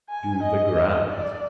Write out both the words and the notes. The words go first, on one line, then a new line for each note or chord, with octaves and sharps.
Do the grand.
G#5
D#5
D5